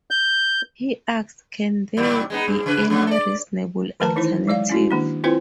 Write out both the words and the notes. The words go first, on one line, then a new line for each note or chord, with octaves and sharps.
He asked Can there be any reasonable 'alternative'?
G6
D#2 G#2 G3
G#3 B3 D#4
G2
C#3 B4
F2 F#3
A4 D5
D#3 A3 A#4 B4 A5 A#5
E3 D#4 E4 C5
F#3 G#3 D5 F5
C#4 E4 F#4
D#3 A#3 D4
C4 E4 F4 B4 C5 G5